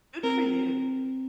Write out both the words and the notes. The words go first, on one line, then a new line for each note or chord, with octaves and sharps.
Good for you.
C4 A#4